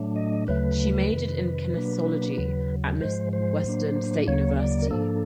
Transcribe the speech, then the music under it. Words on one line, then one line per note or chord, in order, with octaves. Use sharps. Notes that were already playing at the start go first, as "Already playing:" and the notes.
She majored in kinesiology at Midwestern State University.
Already playing: A2 F#3 A3 D4
D#5
D2 C#3 F#3 A3 B4
F2 C3 D#3
B2 F#3 A#3 D4
D#2 C#3 F#3
G#2 F3 G#3 C5
C5
A2 F#3 A#3 D4
D2 C#3 F#3 A#3 C#5
D5
A#4
G#2 F3 A#3 D4 A4